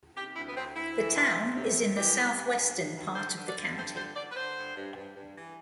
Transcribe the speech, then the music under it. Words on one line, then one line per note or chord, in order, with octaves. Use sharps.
The town is in the southwestern part of the county.
C3 G4
D2 E4
B3
D2 C4
D2 E4
E3
C3
D2
C3
D2
E3 G4
C3
E3
G2
G2
G2
D3 C5
D3
D5
D3
G2 C5
D3 C5
D3 D5
B4
D3 C5
G2
G2
G2
G2
E3